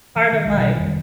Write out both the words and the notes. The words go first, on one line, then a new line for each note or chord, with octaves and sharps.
part of life.
E3
D#3
B1 D3 G#3
C2 B2 E3 G3
F1 E2 D#3 G3